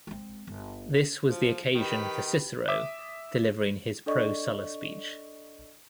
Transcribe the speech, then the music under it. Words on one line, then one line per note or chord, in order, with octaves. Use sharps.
This was the occasion for Cicero delivering his Pro Sulla speech.
G#3 C4
G1
F3
D#3 G4 B4
E5 D6 D#6
D4 A4 D5 D#5 C#6